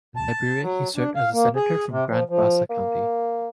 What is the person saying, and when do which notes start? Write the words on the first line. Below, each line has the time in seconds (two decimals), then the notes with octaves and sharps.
In Liberia, he served as a senator from Grand Bassa County.
0.16 A5
0.62 F#3
0.96 D4
1.15 F5
1.33 A#3
1.56 G#4
1.91 C3
2.10 F3
2.30 F3
2.70 A#3